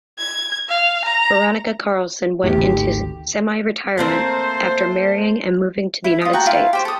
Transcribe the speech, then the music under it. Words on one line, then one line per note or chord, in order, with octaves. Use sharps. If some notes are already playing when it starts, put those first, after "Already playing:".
Veronica Carlson went into semi-retirement after marrying and moving to the United States.
G#6
F5
A#5
E2 A2 G4
G#1 D2
A3 A#3 C4 C5
E4
F4 D#6
F#4 G5 A5 A#5
E4 F4 F5
G4 C5 C#5
A4 D#6